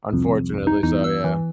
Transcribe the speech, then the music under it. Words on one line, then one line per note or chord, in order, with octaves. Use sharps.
Unfortunately, so, yeah.
C2 F2
D#4
E2 D#4
E6
E3